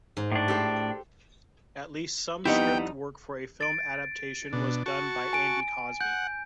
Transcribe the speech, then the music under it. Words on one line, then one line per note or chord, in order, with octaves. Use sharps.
At least some script work for a film adaptation was done by Andy Cosby.
G#2
A2 D4
G4 A4 C5
F2 G3 B3 D#4 E4 G4 F#5 G5
A6 D7
B2 D4
F#4 A5 C#6
G#5 D7
F#5 G6